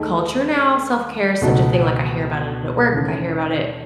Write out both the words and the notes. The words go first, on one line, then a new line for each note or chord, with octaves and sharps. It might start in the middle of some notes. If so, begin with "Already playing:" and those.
culture now, self-care is such a thing, like, I hear about it at work, I hear about it
Already playing: D#2 D#3 A3 D#4 G#4
C#2 B2 A3 D#4 F#4
D#2 C#3 E3 A3 C#4